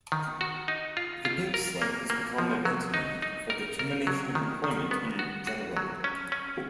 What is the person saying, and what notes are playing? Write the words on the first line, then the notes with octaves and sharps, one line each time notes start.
The "pink slip" has become a metonym for the termination of employment in general.
D#3
F#4
D#4
F4
F4
A#4
A#3
A#3
F3
F#3
D#4
D#4
A#4
A#4
F#3
D#3
D#3
B3
F#4
F#4
F#3
C#4
C#4